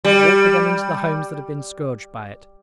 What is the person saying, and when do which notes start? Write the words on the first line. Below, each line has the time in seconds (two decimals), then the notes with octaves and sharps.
Walk with them into the homes that have been scourged by it.
0.05 G3